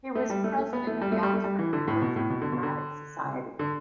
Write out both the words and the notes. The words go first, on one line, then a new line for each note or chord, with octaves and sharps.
He was president of the Oxford University Dramatic Society.
A3
G3
A3
A3
B3
A3
G3
A3
G3
A3
G3
E3
D3
A2
B2
A2
B2
D3
B2
D3
D3